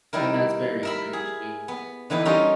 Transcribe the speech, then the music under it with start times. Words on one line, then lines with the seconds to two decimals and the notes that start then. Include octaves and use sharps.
And that's very true too.
0.13 D#3 G3 E4 A#4
0.83 A#4 E5 B5
1.13 G#4
1.68 B3
2.10 D3 E3 B3 D#4 B4
2.25 G3 C#4 D#4 F4 A#4 B4